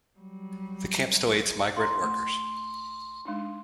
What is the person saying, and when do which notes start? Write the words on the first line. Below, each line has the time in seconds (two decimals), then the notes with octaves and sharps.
The camp still aids migrant workers.
0.19 F#3 G3
1.77 E4 A#5 C6
2.02 A3
3.25 G#3 D4 D#4